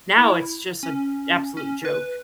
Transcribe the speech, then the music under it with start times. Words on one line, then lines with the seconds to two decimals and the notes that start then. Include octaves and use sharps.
now it's just an absolute joke.
0.18 E4
0.83 C#4
1.57 C#4
1.85 B4